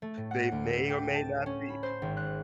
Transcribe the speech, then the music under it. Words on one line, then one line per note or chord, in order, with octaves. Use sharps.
They may or may not be
A3
A2
F#5
D2
E6
G4
A5
C#4
B5
C5
G#1
F#6